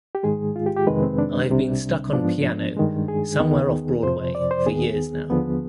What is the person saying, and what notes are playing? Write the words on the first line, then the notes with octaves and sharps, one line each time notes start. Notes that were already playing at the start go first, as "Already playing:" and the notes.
I've been stuck on piano, somewhere off Broadway, for years now.
G4
G#2 D#3 G#3 G#4
F4
G4
G4
F2 C3 D#3 G#3 B4
C4
D4
C2 C3 G3
G#2 F3 B3 D4
G2 D#3 G#3
G#4
D#2 D#3 B3
F2 C3 F3 C5
D5
C5
D#2 D#3 B3 G#4
D#2 D3 F3 B3